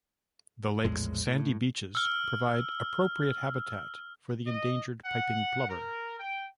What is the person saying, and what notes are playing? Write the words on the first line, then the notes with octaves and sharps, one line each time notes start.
The lake's sandy beaches provide appropriate habitat for the endangered piping plover.
A#1 E2 A2 G#3
A2
E6 F6
D#5
F#5
A#4
G5